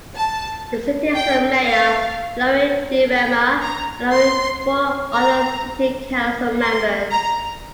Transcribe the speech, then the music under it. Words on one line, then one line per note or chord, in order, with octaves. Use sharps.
The city has a mayor, Lori DeRemer, along with four other city council members.
A5
G5
F5
G5
A#5
C6
A#5
C6
A#5